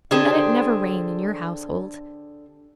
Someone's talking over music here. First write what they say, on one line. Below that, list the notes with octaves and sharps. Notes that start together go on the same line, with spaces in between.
And let it never rain in your household.
D3 D4 G4 G#4 C5